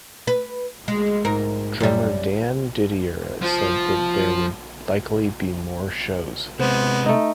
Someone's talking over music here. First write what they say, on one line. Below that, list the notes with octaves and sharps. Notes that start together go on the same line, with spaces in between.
Drummer Dan Didier said that there would likely be more shows.
B4
G#3
G#2 A#4
F#2 G3
F3
C3 G#3 B3 C5
A3 D#4